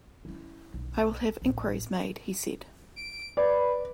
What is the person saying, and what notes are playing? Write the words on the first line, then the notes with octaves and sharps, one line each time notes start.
"I will have inquiries made," he said.
C#4 E4
B1
A1 D2
D7
B4 D5